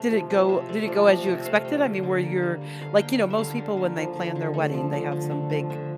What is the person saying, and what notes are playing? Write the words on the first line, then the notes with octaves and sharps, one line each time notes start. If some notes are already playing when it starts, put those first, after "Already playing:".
Did it go Did it go as you expected? I mean, were your like, you know, most people when they plan their wedding, they have some big
Already playing: C3 A3
F3
C3
C3 E5
A3 D5
F3 D5
C3 E5
C3 E5
A3 F5
G3 G5
D3
D3
A#3
G3
D3
D3 F5
A#3 G5
G3 G5
E5
D3 F5
D3
A#3
F3
D3
D3
A3
F3
D3
D3
A3
F3
D3 E5